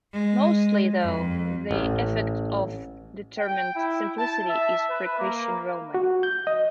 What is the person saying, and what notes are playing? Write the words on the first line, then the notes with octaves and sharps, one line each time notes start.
Mostly, though, the effect of the determined simplicity is pre-Christian Roman.
G#3
F2
A1
G5
E4
A5
E5
B4
A#3
F#4
G6
D#5